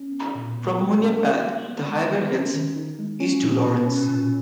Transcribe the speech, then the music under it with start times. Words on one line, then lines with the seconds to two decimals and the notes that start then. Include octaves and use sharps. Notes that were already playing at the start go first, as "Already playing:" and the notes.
From Honea Path, the highway heads east to Laurens.
Already playing: C#4
0.12 B3
0.35 A#2
0.57 B3
0.79 G#3
1.00 C#4
1.23 A#3
1.45 G3
1.67 B3
1.89 G#3
2.11 B3
2.32 C#4
2.54 D#3
2.76 D#4
2.99 G#3
3.20 C#4
3.43 A#2
3.65 B2
3.87 C#4
4.08 A#2